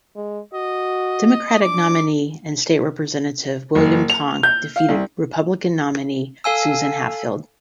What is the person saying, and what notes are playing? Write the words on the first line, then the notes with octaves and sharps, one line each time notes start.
Democratic nominee and state representative William Tong defeated Republican nominee Susan Hatfield.
G#3
F#4 D#5
D4 D6
F#1
F7
G6
F5
C2
A4 F5 G#5 E6